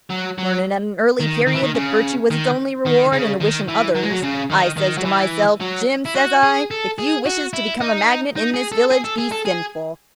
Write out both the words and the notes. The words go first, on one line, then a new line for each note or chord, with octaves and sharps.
Learnin' at an early period that virtue was its only reward, an' a-wish-in' others, I says to myself: 'Jim,' says I, 'if you wishes to become a magnet in this village, be sinful.
F#3
F#3
D#3
D#3
E3
D#3
C#3
D#3
D#3
C#3
D#3
E3
F#3
G#3
F#3
C#3
D#3
D#3
F#3
E3
F#3
E4
F#4
G#4
A4
G#4
F#4
E4
D#4
D#4
G#4
A4
G#4
A4
G#4
A4
G#4